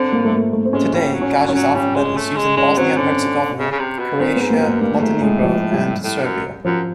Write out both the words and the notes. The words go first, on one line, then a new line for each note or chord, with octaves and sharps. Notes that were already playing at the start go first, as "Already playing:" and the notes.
Today Gaj's alphabet is used in Bosnia and Herzegovina, Croatia, Montenegro and Serbia.
Already playing: D3 C4
A#3
A3
A#3
A3
C4
G#3 C#4
G3 C#4
F#3
C#4
F#3
C#4
F#3
G3 C#4
G#3
A3
G#3
G#3 C#4
F#3 C4
D3 C#4
C#3
C#3
C3
B2
A#2 C4
B3
G#2
A#3
F#2
A#3
G2 A#3
A#3
G#2 A3
A2 G#3
F3
G3
A2
F#2
F#2 F3